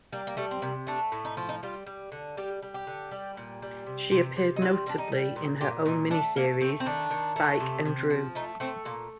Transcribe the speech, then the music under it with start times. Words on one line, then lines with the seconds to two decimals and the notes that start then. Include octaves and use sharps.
She appears notably in her own mini-series: "Spike and Dru".
0.12 G3 A#3
0.27 A#3
0.37 G3 A3
0.51 C4
0.62 C3 A#3
0.87 A3 D4
1.12 A2
1.25 D#4
1.37 F3 F4
1.49 D#4
1.63 G3 F4
1.86 G3
2.12 D3
2.37 G3 G4
2.62 G3
2.74 G4
2.87 D3
3.11 G3
3.37 A#2
3.62 G3
3.86 C3
4.11 C3
4.36 C3
4.56 D#4
4.62 G3 F4
4.87 G3 D4
4.98 D#4
5.12 G3
5.36 A#2
5.61 A#2 G4
5.86 A#2 D#4
6.11 A3 D4
6.36 A3 A#3
6.61 A3 C4
6.80 C4
6.86 D#3 D4
7.11 D#3
7.36 A3
7.60 C3
7.85 C3
8.10 F3
8.35 A3 D#4
8.60 A3 C4
8.85 A#2 A#3